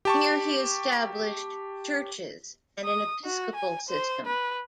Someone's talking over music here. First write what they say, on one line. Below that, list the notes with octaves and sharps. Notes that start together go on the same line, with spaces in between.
Here he established churches and an episcopal system.
G4 A5 C#6
D#6
F#4
G#5
C5
B4